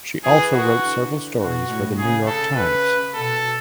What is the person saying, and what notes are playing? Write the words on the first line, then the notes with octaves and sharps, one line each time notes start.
She also wrote several stories for "The New York Times".
E3 G#4
F#4
D3
B2 F#4
A2
C#3 G#4
A4
C#3 B4
B2 A4